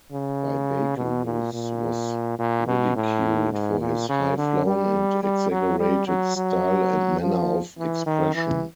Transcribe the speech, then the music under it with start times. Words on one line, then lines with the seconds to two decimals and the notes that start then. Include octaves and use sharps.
Bibaculus was ridiculed for his high-flown and exaggerated style and manner of expression.
0.13 C#3
0.97 B2
1.25 A#2
1.53 A#2
2.39 A#2
2.67 B2
2.96 A2
3.52 G#2
3.80 A#2
4.09 C#3
4.37 D3
4.66 G3
5.23 G3
5.51 F#3
5.80 G3
6.07 F#3
6.36 F#3
7.21 F3
7.78 E3
8.06 D#3
8.34 E3